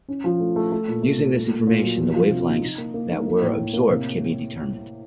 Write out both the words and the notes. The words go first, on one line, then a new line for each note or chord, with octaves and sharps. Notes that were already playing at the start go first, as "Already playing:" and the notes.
Using this information, the wavelengths that were absorbed can be determined.
C#4
F3
A3
A3
A3
A#2
A3
A3
A#2
A#2
A#2
F#3
F3
F3
C3
D#4
D#4
A#3
A#3
D#4
A#3
A2
A2
A#3
C3